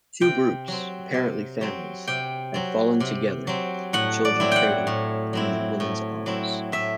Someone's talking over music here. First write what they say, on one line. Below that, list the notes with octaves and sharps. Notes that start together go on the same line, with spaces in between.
Two groups, apparently families, had fallen together, the children cradled in the women's arms.
C3 G5
F#3 C4
C3
F#3 C4
C3 G5
F#3 C4
C3
F#3 C4
A2 F#5
D5
F#3 C4 E4
F#5 G5
A2
F#3 C4 E4
A2
F#3 C4 E4
A2 E5